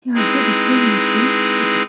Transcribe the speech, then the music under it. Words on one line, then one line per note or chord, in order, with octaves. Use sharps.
He also became a switch-hitter.
G#3 C4 D#4 E4 G#4 B4